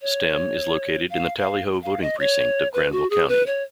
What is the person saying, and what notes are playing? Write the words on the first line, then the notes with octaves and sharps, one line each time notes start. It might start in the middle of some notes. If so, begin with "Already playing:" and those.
Stem is located in the Tally Ho voting precinct of Granville County.
C#5
F5
F5
F5
D#5
C#5
B4
F#4
G#4
B4
C#5